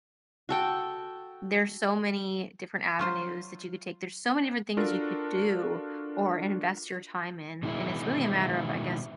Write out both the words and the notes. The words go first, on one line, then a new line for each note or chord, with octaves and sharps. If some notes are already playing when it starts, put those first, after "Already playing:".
there's so many different avenues that you could take. There's so many different things you could do or invest your time in, and it's really a matter of, I guess,
F#4 A4 G5
F#3 F4 C5
D4 F4 F#4 A4 A#4
B2 D#3 E3 G#3 E4